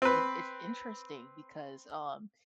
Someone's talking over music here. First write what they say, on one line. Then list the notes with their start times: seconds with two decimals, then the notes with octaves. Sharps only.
it's it's interesting because, um,
0.02 C4 B4